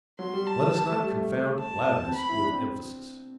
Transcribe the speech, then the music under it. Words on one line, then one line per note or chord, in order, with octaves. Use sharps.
Let us not confound loudness with emphasis.
F#3 C6
G3
A5
G3
A3
G3
A3
A5
B3
C4
B5
E4
D4
C4